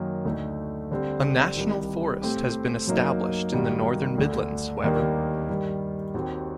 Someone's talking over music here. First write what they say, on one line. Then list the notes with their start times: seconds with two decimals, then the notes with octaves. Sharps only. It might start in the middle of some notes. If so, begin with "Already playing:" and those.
A national forest has been established in the northern midlands however.
Already playing: F#2 D#3 F#3 A#3
0.25 D2 D3 A3 D#4
0.91 D3 G3 C4
1.56 C2 C3 D#3
2.22 A2 A3 C4 G4
2.87 F#2 F#3 A#3 D#4
3.53 G2 D#3 G3 A#3 F#4
4.18 D2 D3 A3
4.84 D#2 D#3 G3 A#3 D4
5.50 G2 D#3 G3
6.14 D#2 D#3 G3 C4 F#4